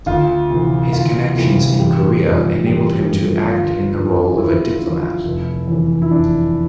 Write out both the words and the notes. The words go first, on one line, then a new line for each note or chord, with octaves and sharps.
His connections in Korea enabled him to act in the role of a diplomat.
D2 F4
C3 E3
D2 F4
C3 E3
A1 G4
G2 F3
A1 G4
G2 F3
D2 F4
D3 F3
D2 E4
D3 F3
F1
E2 E3
E4
F1 D4